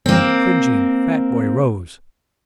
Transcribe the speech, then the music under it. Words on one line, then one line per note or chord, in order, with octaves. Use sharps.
The cringing fat boy rose.
A#3 C4